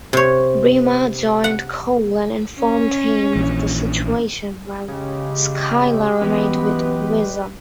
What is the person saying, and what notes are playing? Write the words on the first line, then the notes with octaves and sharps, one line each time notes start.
Bremer joined Cole and informed him of the situation while "Scylla" remained with "Weser".
C3 C#5
F#5
C#4
A#1 E3
C#3 G#3 G4
E3 F#3 B3 C#4 B4